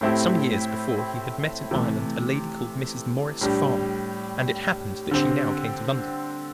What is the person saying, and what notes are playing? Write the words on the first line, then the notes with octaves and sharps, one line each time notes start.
Some years before he had met in Ireland a lady called Mrs. Maurice Farmer; and it happened that she now came to London.
A2 A3 C4 E4 G4
C3 E3 A3
A2 G3 D4 G4
D3 C4 G4